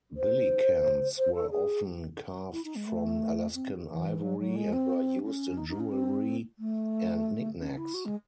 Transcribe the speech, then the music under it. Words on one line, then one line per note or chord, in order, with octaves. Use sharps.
Billikens were often carved from Alaskan ivory and were used in jewelry and knick-knacks.
C5
C5
A4
G#4
E4
D#4
G#3
A3
C4
E3
F#3
F#3
G#3
C4
C#4
D#4
D#4
C#4
C4
A3
C#4
E4
F#4
G#3